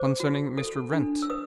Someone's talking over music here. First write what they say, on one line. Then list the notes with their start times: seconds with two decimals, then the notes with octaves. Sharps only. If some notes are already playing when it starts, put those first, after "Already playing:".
"Concerning Mr. Wrent."
Already playing: C5 D6
0.20 F#4
0.57 A4
0.93 D4
1.22 E6
1.30 B4 D#6